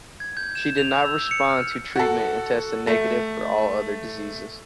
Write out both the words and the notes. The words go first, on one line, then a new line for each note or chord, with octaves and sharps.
She did not respond to treatment and tested negative for all other diseases.
G#6
G6
E7
F7
E6
C#7
F6
F#4 A4
A3